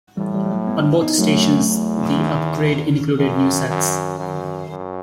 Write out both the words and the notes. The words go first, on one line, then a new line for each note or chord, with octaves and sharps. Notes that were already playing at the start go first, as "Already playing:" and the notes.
On both stations, the upgrade included new sets.
A2 E3 G3
E3 G3
G3
F#3 A3
G3 B3
B3 D#4
F#2 F#3 A3
E2
D#3
F#2 E3
D#3
F#2 D#3
F#2
F#2